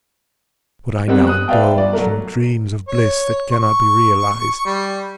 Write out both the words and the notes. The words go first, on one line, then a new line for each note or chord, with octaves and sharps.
But I now indulge in dreams of bliss that cannot be realized.
G3 B3 C4 A#4 F#5
D#6 F#6
B4 D5 E5 F5 G5 A5
G1 D5
F#3 A3 A#4
C#5
C#6
G3